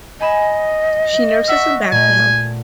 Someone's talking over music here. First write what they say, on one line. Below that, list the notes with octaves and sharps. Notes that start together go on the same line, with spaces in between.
She nurses him back to health.
D#5 G#5 B5 E7
E5 F#5 C#6
A#2 A3 G#5